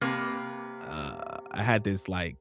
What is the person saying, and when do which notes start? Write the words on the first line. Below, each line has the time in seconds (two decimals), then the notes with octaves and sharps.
uh, I had this like
0.01 C3 A#3 B4